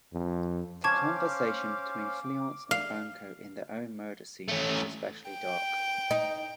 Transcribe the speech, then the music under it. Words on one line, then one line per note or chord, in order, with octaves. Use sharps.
The conversation between Fleance and Banquo in their own murder scene is especially dark.
F2
C#4 C5 F5 A5 C#6 D6 G#6
F5
A3 C#4
G5
D#4